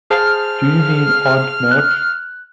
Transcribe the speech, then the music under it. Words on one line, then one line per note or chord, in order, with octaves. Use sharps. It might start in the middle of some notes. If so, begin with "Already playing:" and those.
Do you mean Aunt March?
G#4 C5 A5 F6
F#6